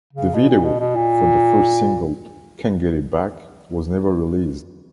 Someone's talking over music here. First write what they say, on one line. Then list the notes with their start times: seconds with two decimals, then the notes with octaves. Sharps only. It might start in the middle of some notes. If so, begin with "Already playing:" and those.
The video for the first single "Can't Get It Back" was never released.
0.13 C#3
0.34 B2
0.49 A#2
0.64 B2
0.79 B2
0.95 A#2